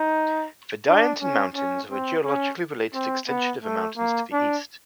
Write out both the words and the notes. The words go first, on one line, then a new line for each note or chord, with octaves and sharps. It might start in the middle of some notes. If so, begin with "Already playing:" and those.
The Dienten Mountains are a geologically-related extension of the mountains to the east.
Already playing: D#4
D4
C#4
C#4
C4
C#4
C4
B3
A3
A#3
D4